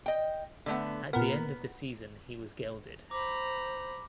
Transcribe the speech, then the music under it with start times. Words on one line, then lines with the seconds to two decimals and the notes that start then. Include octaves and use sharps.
At the end of the season he was gelded.
0.06 D#5 G5
0.66 D3 A3 B3
1.13 A#2 B3 A#4
3.11 C5 A#5 B5 D6